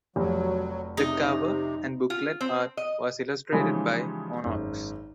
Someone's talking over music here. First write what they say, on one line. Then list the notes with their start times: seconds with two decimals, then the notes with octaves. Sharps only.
The cover and booklet art was illustrated by Monaux.
0.16 F1 F#3
0.97 C3 D#4
2.10 F4
2.41 C4
2.77 D#5
3.52 C#3 E3 F3 G3 G#3 D#4
4.44 G#1 F#2